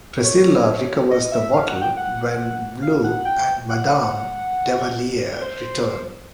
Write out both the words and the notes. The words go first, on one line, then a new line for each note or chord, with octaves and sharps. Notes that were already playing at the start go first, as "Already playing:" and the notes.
Priscilla recovers the bottle when V'lu and Madame Devalier return.
C#5
D#5
E5
F5
F#5
G5
F#5
F5
F#5
G5
F#5
C5